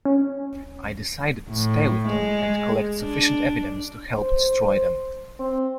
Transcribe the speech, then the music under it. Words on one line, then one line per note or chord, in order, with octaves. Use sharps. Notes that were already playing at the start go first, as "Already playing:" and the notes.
I decided to stay with them and collect sufficient evidence to help destroy them.
C#4
A2
G#3
D4
C5
C4